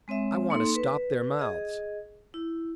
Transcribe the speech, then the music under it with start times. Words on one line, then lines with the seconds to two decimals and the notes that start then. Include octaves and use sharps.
"I want to stop their mouths."
0.08 G#3 C4 C#5 E5
0.50 A#3 D#4 A4 C6
0.75 B4
1.39 G#4 D#5
2.34 E4